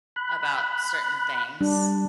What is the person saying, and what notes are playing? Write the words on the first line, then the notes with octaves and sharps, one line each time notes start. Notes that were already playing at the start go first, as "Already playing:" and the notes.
about certain things,
B5 F#6
G3 D4